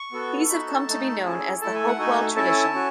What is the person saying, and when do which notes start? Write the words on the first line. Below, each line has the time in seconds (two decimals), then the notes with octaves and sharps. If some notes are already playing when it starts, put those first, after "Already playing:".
These have come to be known as the Hopewell tradition.
Already playing: C#6
0.12 B3 F#4 A4
0.49 D#4 F#4 A4 B5
0.69 A5
0.87 A3 D#4 A4
1.23 C#4 E4 G#4
1.61 A3 E4 A4 A5
1.75 G#5
1.88 F#5
1.99 A3 D#4 F#4 A4 G#5
2.35 C#4 E4 A4 A5
2.73 C#4 F#4